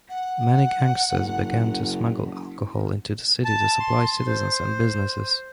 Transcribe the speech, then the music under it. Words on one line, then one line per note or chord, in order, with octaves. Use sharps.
Many gangsters began to smuggle alcohol into the city to supply citizens and businesses.
F#5
F#1
A5
C6
C5